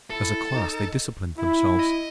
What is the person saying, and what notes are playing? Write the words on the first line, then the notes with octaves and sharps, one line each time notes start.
As a class, they disciplined themselves.
E4 A4
D#4
E4
D#5